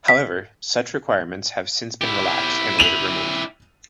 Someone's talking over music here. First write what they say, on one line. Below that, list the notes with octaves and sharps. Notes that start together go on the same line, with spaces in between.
However, such requirements have since been relaxed and later removed.
B6
E4 G4
D#7 F7 F#7